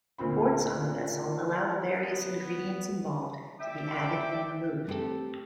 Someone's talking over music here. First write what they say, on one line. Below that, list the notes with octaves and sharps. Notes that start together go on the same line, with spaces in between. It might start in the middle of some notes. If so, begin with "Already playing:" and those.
Ports on the vessel allow the various ingredients involved to be added and removed.
D2 A#2 C4 B5
B3
D5 E5 G5 D6
A3 B3 C4 G4 A4